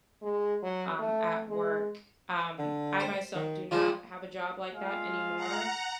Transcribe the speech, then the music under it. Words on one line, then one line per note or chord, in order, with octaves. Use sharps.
um, at work. Um, I myself do not have a job like that anymore,
G#3
F#3
A3
G#3
D3
C5
D#3
F3 G3 G#3 F4
G#3 F4 F5
F#5 A#5